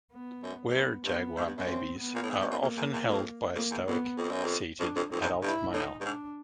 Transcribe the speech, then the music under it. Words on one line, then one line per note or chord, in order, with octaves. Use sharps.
Were-jaguar babies are often held by a stoic, seated adult male.
B3
F#2
G#2
G2 B3
G2 B3
G#2
G2
F#2
C4
B3
A#2
A2
G#2
G2
F#2
F2 A#3
E2
E2
F2
F2 A#3
E2
F2 B3
F2
F#2
F2
F2 D4
F2
F2 D#4
E2
G2 E4
A2 D#4
G2
G#2 D4